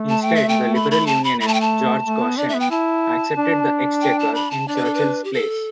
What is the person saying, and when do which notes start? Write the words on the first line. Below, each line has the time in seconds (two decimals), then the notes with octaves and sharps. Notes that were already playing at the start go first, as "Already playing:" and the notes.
Instead the Liberal Unionist George Goschen accepted the Exchequer in Churchill's place.
Already playing: A3
0.09 A5
0.22 G5
0.35 E5
0.49 G5
0.75 B5
0.91 B5
1.07 A5
1.24 B5
1.40 A3 B5
1.48 A5
1.54 G5
1.61 A5
2.06 A3
2.22 B3
2.37 D4 D5
2.48 E5
2.54 B3
2.60 G5
2.71 E4 A5
3.36 D4
4.01 G5
4.19 A5
4.35 B5
4.51 A5
4.67 D4 D5
4.76 B4
4.85 A4
4.94 B4
5.24 G4
5.34 A4